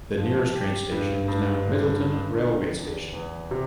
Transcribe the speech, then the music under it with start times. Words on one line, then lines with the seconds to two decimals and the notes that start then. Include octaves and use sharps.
The nearest train station is now Midleton railway station.
0.17 F3
0.54 G4
0.91 G2
1.28 G2
1.65 D3
2.02 D3
2.39 B3
2.77 E2
3.13 E2
3.51 C3